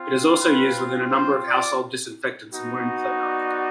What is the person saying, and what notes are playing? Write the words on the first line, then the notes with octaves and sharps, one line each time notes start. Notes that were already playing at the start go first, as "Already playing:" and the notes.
It is also used within a number of household disinfectants and wound cleaner.
Already playing: C4 F4
B4
C5
D5
B3 D#4 F#4
D5